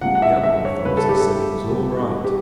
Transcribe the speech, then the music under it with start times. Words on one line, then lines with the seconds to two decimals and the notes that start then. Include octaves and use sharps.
The other authorities said it was "all right!"
0.01 C#2 C#3 G3 F#5
0.15 F#5
0.22 E5
0.43 E5
0.65 C#5
0.85 C#2 C#3 G3 B4
0.97 A4
1.09 G4
1.20 A4
1.69 C#2 C#3 G3 G4
1.97 F#4
2.24 G4